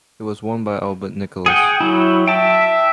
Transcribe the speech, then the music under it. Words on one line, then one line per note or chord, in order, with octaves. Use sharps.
It was won by Albert Nicholas.
G#4 F#5 G5
F#3 E4
E5 G5 A5